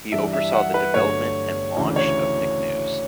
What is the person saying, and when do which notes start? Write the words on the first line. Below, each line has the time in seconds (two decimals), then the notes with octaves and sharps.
He oversaw the development and launch of Nick News.
0.12 G2 E3 G3 D4 E5
0.33 E5
0.53 F#5
0.74 B4
0.94 G1 G2 F#3 A3 C#5
1.76 D2 C#3 E3
1.96 C#5